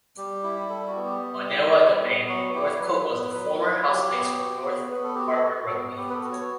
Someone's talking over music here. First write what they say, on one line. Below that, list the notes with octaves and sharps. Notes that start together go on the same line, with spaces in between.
Onewa Domain, Northcote was the former home base for North Harbour rugby.
G3 G4
E4
G3 A4
F#4
B3
G4
G3
E4
G3
B3
F#3 F#4
E4 G4
F#3 B4
B3
F#3
E4
F#3 G4
B3
F#4
B3
B3 B4
A4
F#4 G4
A4
F#4
B3
B3 G4
B4
A4
F#4
C#5